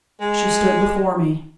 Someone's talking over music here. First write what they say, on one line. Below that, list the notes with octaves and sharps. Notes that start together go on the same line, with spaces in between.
She stood before me.
G#3